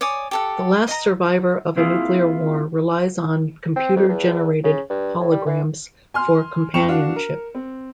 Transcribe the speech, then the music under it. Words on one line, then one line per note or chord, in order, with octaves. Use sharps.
The last survivor of a nuclear war relies on computer generated holograms for companionship.
C#5 D5 G#5 D#6
G4 A4 F#5
D#5 A#5
A#3 C4 E4 F4 G#4
C4
F2
E2
C#3
G2
A2
G3
E3
G#5 C6 F6
F2 G5 C#6 C#7 E7 F7
D4 F#4 F5
A#4
C4